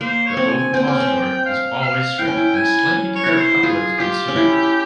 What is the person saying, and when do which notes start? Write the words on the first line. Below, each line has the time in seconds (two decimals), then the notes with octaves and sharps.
The ovipositor is always straight and slightly curved upwards and serrated.
0.01 A#3 C5
0.26 C#5
0.37 C4
0.49 G#5
0.74 C4 G5
0.88 C#4
1.00 C4
1.46 F5
1.82 F5
2.19 E4 G5
2.27 C#4
2.37 E4
2.55 G#5
2.91 C#4
3.15 C#5
3.26 E4 C#5
3.39 C5
3.63 F4 G#4
3.99 F4 G4
4.28 C#4
4.36 E4